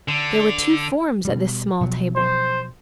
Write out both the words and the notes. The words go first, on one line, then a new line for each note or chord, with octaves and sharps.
There were two forms at this small table.
D3
B2 G3
B2 F3 F#3
C5